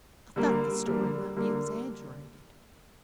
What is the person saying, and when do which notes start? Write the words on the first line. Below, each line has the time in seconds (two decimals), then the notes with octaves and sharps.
I thought the story might be exaggerated.
0.36 D3 G3 A#3
0.86 D3 G3 A#3
1.36 D3 G3 A#3